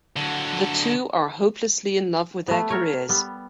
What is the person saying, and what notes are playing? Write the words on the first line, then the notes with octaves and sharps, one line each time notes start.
The two are hopelessly in love with their careers.
D3 F#3
A3 B3
A4 A#4 C#5
G3 B3